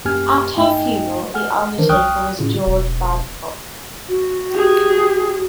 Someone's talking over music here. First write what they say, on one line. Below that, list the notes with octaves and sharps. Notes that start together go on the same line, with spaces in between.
At her funeral the undertaker was George Badcock.
F#2 A#3 G4 G#5 F6 G#6
G2 A3 D#4 D#5 G5 G#5
F#5 G#5 F6
D#3 E3 D4 A#4 C5
C2 G5 C#6 D#6 F6 F#6
A2 C#3 E4 F4
E1
F#4
G4 G#4